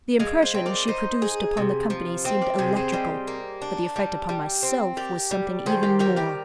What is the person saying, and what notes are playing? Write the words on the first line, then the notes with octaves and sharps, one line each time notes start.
The impression she produced upon the company seemed electrical but the effect upon myself was something even more.
G#3 D5 F5
C5 D#5
C4
A#4 D5
D#4 C5 D#5
G#4
C3
F3
C4 C5 D#5
A#4 D5
C3 G#4 C5
G#4 C5
G3 C5 D#5
A#3
D4
G3
G3
C4
G4 A#4 D5
G3
D#3 G#4 C5
G4 A#4
G3 G4 A#4
G4 A#4